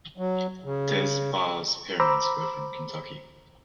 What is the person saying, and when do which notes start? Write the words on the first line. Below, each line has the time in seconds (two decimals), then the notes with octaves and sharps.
Des Barres' parents were from Kentucky.
0.18 F#3
0.64 C#3
2.00 C5 A#5 B5 D6 E6